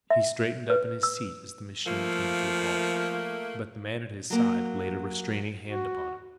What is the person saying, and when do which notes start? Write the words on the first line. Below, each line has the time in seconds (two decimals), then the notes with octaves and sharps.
He straightened up in his seat as the machine came to a halt--but the man at his side laid a restraining hand upon him.
0.10 E5
0.70 B4
1.03 E6
1.87 F3 A3 A#3
4.30 F#3 A#3
5.65 F#4